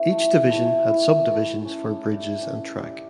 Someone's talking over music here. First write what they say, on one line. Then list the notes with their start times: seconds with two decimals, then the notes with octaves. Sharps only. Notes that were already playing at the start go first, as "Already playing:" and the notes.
Each division had subdivisions for bridges and track.
Already playing: C#4 E4 B4
0.11 A3
0.49 E4 A4 C#5
0.88 E4
1.27 A4 C#5
1.65 C#4
2.03 E4 G4 D5
2.42 C#4
2.79 G4 D5